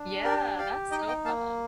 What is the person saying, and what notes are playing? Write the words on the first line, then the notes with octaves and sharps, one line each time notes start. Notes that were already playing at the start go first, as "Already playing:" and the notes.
Yeah, that's so fun.
Already playing: D4
G4 A#4 D5
G4 D5 F5
D#4 D#5 G5
D#5 G5
A#3 F5 A5